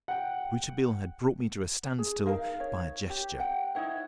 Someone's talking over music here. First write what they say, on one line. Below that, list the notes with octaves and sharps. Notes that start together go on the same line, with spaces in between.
Rouletabille had brought me to a standstill by a gesture.
F#5 G5
G#4
D#4 A#4 F5
C#5
G4
F#5 G5
D#4 E4 C#5 F#5